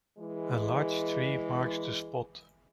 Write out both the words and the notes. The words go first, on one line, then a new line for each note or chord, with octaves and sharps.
A large tree marks the spot.
E3 G#3